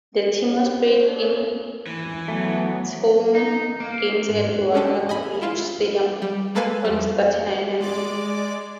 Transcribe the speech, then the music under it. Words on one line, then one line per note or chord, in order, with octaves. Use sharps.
The team played its home games at Wagner College Stadium on Staten Island.
E3
F#3 A3 B3
D#4
A#3
G#2
G#3 C#4 D4 A4
D#5 G#5 B5
E4 F4
G3
G#3 A#3 A4 B4 F5 G#5
F2 G3
G#3 D5 D6